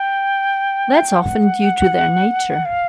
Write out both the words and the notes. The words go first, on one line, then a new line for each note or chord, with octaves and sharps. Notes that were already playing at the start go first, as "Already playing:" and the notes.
That's often due to their nature.
Already playing: G5
F#5
F5